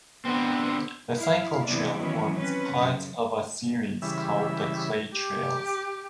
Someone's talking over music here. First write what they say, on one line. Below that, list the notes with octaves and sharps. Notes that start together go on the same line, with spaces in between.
The cycle trail forms part of a series called the Clay Trails.
D3 B3 C4
E4 F5
C3 E3 B3 C4 D4 D5
D#3 E3 F#3 B3 C#4 E4
C4 C#4 B4
F#2 C#3 F3
C#3 E3 G3 E5
G4